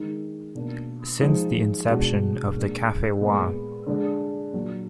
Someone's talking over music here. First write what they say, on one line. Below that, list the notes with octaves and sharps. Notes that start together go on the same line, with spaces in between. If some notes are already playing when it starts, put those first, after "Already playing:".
Since the inception of the Cafe Wha?
Already playing: D#3 G#3 D#4
B2 A#3 D4
F3 G#3 D#4
B2 G#3 D4 F#4
A#2 G#3 D4
A#2 G#3 B3
D3 G#3 D4
A#2 F#3 D4